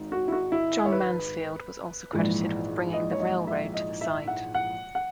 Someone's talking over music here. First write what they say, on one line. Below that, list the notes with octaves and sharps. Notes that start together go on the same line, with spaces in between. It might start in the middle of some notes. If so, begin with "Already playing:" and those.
John Mansfield was also credited with bringing the railroad to the site.
Already playing: G#1 G#2 D#3
F#4
E4
F#4
E4
C#5
B4
A#1 G#2 E3
D#5
C#5
D#5
E5
D#5
E5
F#5
F#5
F#5